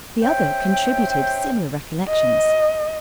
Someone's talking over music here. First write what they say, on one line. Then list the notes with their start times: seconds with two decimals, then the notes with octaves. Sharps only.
The other contributed similar recollections.
0.22 C#4 C5 E5 G5
2.09 D#5